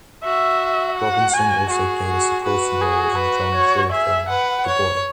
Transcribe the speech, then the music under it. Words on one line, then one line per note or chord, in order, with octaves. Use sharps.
Robinson also played a supporting role in the drama thriller film "The Boy".
F#4 E5
F#5
F#4 G#5
F#4 G#4
F#4
F#4 B4
F#4 G#4
B4
C#5
G#4 E5
B4 F#5
C#5